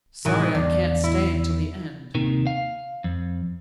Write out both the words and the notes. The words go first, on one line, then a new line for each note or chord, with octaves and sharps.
Sorry I can't stay until the end.
A2 C3 D#3 E3
E2 C#3 D4
E4
D#2 C3 D#3
F5
F2